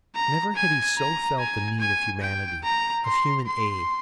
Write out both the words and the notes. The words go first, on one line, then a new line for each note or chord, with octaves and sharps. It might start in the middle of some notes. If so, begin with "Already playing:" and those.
Never had he so felt the need of humanity, of human aid.
A#5
G#5
A#5
G#5
G#5
G5
A#5
C6
C6